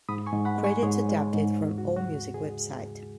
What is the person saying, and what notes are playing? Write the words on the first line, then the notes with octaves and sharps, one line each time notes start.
Credits adapted from Allmusic website.
G#2 B5 D#6
G#5 C#6
G#2
F#5 B5
G#3
G#5 C#6
G#2 G#4 C#5
G#3
G#2
D#2
F#4
C#3
F#4
D#2
G#3 G#4